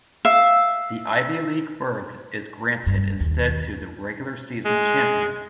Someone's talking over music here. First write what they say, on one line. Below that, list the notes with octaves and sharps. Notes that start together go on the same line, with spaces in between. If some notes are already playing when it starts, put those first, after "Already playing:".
The Ivy League berth is granted instead to the regular-season champion.
E5 F5
G2
D#2
G#3